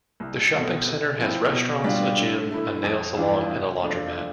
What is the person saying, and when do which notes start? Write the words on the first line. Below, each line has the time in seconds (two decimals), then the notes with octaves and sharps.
The shopping center has restaurants, a gym, a nail saloon, and a laundromat.
0.20 C2
0.54 B2 A3 C4
0.86 C3
1.19 F3 C4 E4
1.52 B2
1.84 G3 D4 F4
2.17 D3
2.51 A3 E4
2.83 F2
3.17 E3 G3 D4 F4
3.50 C3
3.82 F3 A3 D4 F4